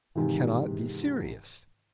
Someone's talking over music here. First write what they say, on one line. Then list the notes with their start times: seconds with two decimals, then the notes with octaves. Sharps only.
"You cannot be serious."
0.15 G#2 C3 D#3 E3